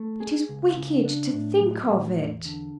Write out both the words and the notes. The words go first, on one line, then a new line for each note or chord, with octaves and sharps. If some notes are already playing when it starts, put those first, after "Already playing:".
"It is wicked to think of it."
Already playing: A3
G#4
C#2
C#3
D4
A2
F#3
A2
E2
D3